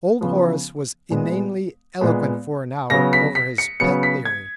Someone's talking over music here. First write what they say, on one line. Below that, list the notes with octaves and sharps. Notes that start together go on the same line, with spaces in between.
Old Horace was inanely eloquent for an hour over his pet theory.
C#3 F3 B3
A#2 G#3 B3
A#2 G#3 B3
C#3 F#3 B3 A#6
B6
B6
C#7
C#3 F#3 B3 C#7
B6
G#6